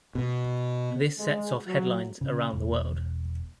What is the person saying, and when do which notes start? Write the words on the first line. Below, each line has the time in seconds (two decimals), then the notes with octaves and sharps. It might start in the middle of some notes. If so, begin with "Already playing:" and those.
This sets off headlines around the world.
0.15 B2
1.19 G#3
1.67 F#3
2.21 C#3
2.53 E1